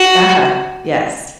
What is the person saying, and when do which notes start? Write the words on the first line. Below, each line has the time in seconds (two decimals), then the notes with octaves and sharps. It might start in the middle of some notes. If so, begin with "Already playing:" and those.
Uh-huh, yes.
Already playing: F#4